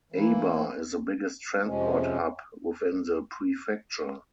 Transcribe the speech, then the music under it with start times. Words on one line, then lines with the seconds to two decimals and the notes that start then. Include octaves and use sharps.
Aba is the biggest transport hub within the prefecture.
0.12 E3 A#3 E4
1.64 F2 C3 F3 G#3 C#4